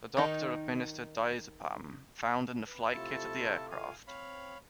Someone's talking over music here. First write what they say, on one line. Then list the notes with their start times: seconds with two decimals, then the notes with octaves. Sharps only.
A doctor administered diazepam found in the flight kit of the aircraft.
0.17 D#3 D#4
2.67 B4
2.92 C3 A3 E4 F4 A4 A5
3.71 F5 G#5
4.07 C4 C#5 F5 B5